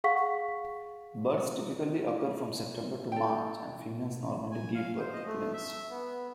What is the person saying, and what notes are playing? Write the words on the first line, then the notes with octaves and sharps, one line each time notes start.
Births typically occur from September to March and females normally give birth to twins.
G#4 F5 F#5 C#6 B6
A4 G5
G#5
F5
C5
D#5
A3
E5
B3